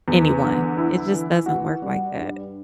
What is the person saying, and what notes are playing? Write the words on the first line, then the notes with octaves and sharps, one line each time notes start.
anyone. It just doesn't work like that.
E2
D3
E4
E3
F#4
G3
G2